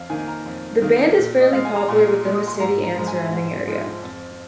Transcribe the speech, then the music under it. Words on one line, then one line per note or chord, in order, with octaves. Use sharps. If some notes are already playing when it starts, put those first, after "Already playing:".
The band is fairly popular within the city and surrounding area.
Already playing: F2 F5
D#3 A#3 G#5
A#5
F2
D#3 A#3
A#2
D#5
G#3 F5
G#5
A#5
A#2 C6
G#3
D#6
C6
G#2 A#5
A#5
F3 G#3 A#5
G#5
G#2
F3 G#3
F2